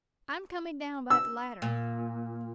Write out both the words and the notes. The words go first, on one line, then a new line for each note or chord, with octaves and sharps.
"I'm coming down by the ladder."
E6
A#2